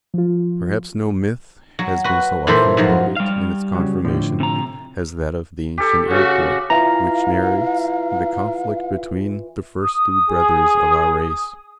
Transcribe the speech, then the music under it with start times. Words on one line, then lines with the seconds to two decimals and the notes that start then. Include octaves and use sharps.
Perhaps no myth has been so often quoted in its confirmation as that of the ancient Iroquois, which narrates the conflict between the first two brothers of our race.
0.14 F3 F4
1.79 F#3
2.04 F#4 B4
2.47 A#2 E3 A4 C5 B5 C6
2.77 G#2 F3 F#3
3.17 G3 F5
3.75 C#3 F#3
4.04 A2 D3 F3
4.40 C3 A#5
5.78 G4 A4
6.10 C#3 F#4
6.70 E3 F4 F5 A#5
9.81 D#6
10.30 G#4